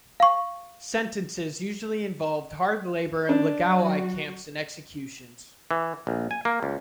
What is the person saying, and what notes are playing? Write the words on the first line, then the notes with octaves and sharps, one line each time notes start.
Sentences usually involved hard labor in "laogai" camps and executions.
F5 C#6
D4
F#3 F#4
E3
A#1
G#5
A#3
C#2